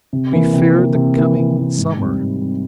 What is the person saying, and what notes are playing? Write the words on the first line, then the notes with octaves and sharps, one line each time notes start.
We feared the coming summer.
C3
E3 A#3
C3
E3 A#3
C3
E3 A#3
C3
E3 A#3
G#2
G3 C4
G#2
G3 C4